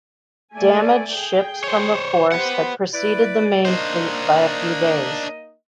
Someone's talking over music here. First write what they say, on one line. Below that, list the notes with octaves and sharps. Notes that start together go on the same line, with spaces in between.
Damaged ships from the force had preceded the main fleet by a few days.
A3 D5 G#5
G#4 G5
C5 C#5
G4 B4 C5 F#5
E4 B4 D5
A#3 D4 D#4 C5 D#5